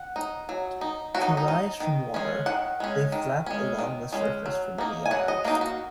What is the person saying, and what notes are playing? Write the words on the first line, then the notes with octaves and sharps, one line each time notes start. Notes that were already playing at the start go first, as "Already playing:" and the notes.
To rise from water, they flap along the surface for many yards.
Already playing: F#5
D#4
F#3
D#4
F#3 F#4
D#4
D#4
D#4
D#3
G#3 C#4
D#3 F#5
G#3 C#4
D#3
G#3 C#4
D#3
G#3 C#4
F#3
A#3 D#4
G#5
F#3 F#5
D#5
A#3 D#4 F#4
F#4